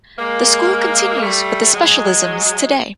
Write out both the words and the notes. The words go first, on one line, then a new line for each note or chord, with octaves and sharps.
The school continues with the specialisms today.
G#3 A#3
G3 A3
F#3 G#3